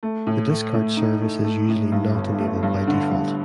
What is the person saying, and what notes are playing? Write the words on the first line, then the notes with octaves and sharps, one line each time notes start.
The discard service is usually not enabled by default.
A3
A2
A3
A2
D#4
A3
A3
A2
G2
G1
A3
G2
D3
G2